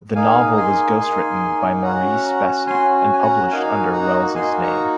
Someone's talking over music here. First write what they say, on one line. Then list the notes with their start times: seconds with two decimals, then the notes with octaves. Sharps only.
The novel was ghostwritten by Maurice Bessy and published under Welles's name.
0.15 A#3 D#4 G#4 F5 G#5
0.52 A#5
0.57 G#5 C6
0.99 A#3 D#4 G#4 G#5 C6
1.83 C#4 F#4 F#5 A#5
2.67 C#4 F#4 G#5 C6
3.13 G#5
3.23 F#5 A#5
3.51 A#3 D#4 F#4 F5 G#5
3.93 F#5 A#5
4.35 A#3 D#4 F#4 G#5 C6
4.62 A#5 C#6